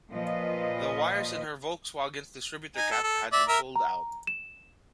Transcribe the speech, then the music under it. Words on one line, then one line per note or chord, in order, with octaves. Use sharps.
The wires in her Volkswagen's distributor cap had been pulled out.
A#2 F3 F4 B4 D#5
D#4 G#5
A4
A4
D5 E5
A#4 E5 A#5
A#5
E7